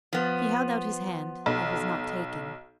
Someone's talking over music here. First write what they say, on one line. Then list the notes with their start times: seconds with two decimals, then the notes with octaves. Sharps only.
He held out his hand; it was not taken.
0.13 F3 B3
1.46 B1